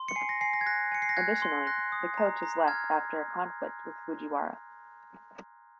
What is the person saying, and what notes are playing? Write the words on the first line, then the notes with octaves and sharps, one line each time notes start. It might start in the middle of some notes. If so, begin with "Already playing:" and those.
Additionally, the coach has left after a conflict with Fujiwara.
Already playing: C6
C#7
G#5 C7
A#6
G#5 C7
A#6
G#6
F#6 A#6
G#5 C#7
C7
A#6
F#6 G#6
C6
F#6 A#6
D#6
A#5
A#5
F6 G#6